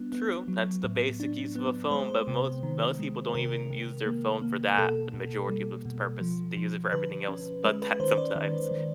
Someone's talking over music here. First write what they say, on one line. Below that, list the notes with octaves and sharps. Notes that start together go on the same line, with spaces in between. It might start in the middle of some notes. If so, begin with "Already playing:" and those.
True, that's the basic use of a phone, but most most people don't even use their phone for that for the majority of its purpose, they use it for everything else but that sometimes.
Already playing: G3 B3 D4
B3
F#3
A2
D4
B3
G#3 C5
C3
D#3
G#3
C3 A#4
C3
A#3
A#3
B2 A4
B2
G3
B2
F3
F3
D3 B4
C#4
G#3 B4
B4
D#3 C5
D5
D#3
D#3